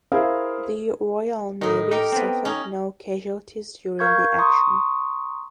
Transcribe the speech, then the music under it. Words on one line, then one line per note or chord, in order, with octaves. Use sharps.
The Royal Navy suffered no casualties during the action.
E4 G#4 A#4 C5 E5 F5
A2 D#3 D#4
D#4 G4 A#4
B3 C4
C#4 D#4
A#4 F5 C#6 G6 G#6
A#5 C6 C#6 D#6